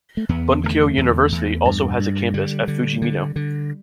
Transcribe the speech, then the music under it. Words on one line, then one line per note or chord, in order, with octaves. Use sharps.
Bunkyo University also has a campus at Fujimino.
A3
E2 B3
D3 A3
E2
E2
G2
G2
D3 G3
D3
D3
D3